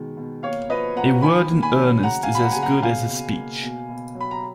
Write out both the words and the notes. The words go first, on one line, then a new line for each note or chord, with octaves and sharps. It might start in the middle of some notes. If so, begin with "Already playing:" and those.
A word in earnest is as good as a speech.
Already playing: B2 D#3 G#3
B2
A#3 C#5 F5
F3 B4 D#5
F3 F#5 A#5
D#3 G#5 B5
A#3
G#5 B5
F#3
C#3 F#5 A#5
F5 G#5
A#3
B5
F#5 A#5
C#3 G#5
F#5 A#5
B2 F5 G#5
B2
A#3
B2
B2
F#3
B5
A#5